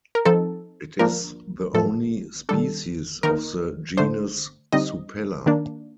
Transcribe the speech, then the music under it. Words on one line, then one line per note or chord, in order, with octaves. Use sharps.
It is the only species of the genus Supella.
A#4
F3 C4 D#4 A4
F3 A#3 D4 A#4
A2 F3 A3 A4
D#3 G3 D4 A4
D#3 A#3 D#4 A#4
D3 A3 D4 C5
D3 G3 C4 D#4 D#5
D#3 A#3 D4